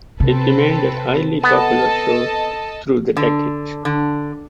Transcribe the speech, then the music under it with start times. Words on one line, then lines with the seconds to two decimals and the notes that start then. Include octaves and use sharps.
It remained a highly popular show through the decade.
0.20 C3 C4 A4 B4
1.44 B3 A4 D#5 A5
3.17 D3
3.85 D3